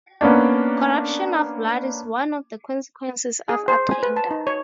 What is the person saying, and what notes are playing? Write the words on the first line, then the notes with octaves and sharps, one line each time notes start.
Corruption of blood is one of the consequences of attainder.
A#3 B3 C#4 D4
G#4
C5
G#5
B4
A5
D#4
C#5